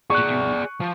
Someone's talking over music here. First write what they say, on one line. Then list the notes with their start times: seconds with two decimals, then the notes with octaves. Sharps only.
did you
0.10 G#4 D5 C#6 F#6
0.81 F3